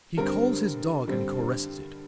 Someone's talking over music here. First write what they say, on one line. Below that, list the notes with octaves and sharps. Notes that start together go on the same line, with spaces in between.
He calls his dog and caresses it.
G2 D3 G3 C4 A#4
G2 D3 G3 C4